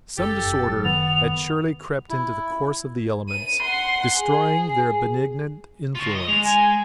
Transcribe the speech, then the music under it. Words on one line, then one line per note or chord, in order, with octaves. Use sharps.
SOME disorder had surely crept into the course of the elements, destroying their benignant influence.
F#1 G4 A4 A6
F#2
F#3
D#3 B3 F7
E4
D#7
F#5 C6
G#4
F4 C#5
D#5
G#3 F7
G#5